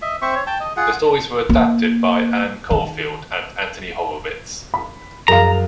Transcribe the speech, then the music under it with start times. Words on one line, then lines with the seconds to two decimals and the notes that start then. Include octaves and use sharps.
The stories were adapted by Anne Caulfield and Anthony Horowitz.
0.02 D#5 E5
0.22 C4 C5 E5 C#6
0.35 C#5
0.47 G5 A5
0.60 D#5
0.77 F4 G#4 F#5
1.49 A#3 E4
2.71 D#3
4.74 B5
5.28 F#2 G#4 F5 A#5